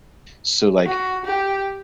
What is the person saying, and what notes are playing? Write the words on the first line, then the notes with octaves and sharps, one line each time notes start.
So, like,
F#4
G4